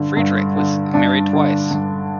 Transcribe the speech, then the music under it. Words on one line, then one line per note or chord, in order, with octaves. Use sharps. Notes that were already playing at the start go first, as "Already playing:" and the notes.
Friedrich was married twice.
Already playing: G2 D3
G2
D3
G2 D4
D3
G2